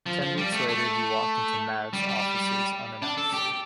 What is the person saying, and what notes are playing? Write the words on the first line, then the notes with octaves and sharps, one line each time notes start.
Ten weeks later, he walked into "Mad"'s offices unannounced.
F3
F3
G3
A3
A3
G3
G3
D4
A4
G4